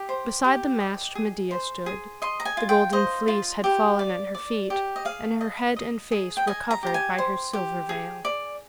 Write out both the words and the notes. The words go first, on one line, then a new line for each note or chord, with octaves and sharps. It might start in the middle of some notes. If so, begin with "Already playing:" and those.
Beside the mast Medea stood; the Golden Fleece had fallen at her feet, and her head and face were covered by her silver veil.
Already playing: G4
C5
G4
D#5
G#4
C5
G#4
D#5 C6
A#5
G#5
F4
G5
C5 D#5
F4
G4
D5
D5
G4
D#5
G#4 F5
D#5
D#5
G#4
G5
D#5 G#5
A#5
G4 A#5
G#5
C5
G4
G#4
D5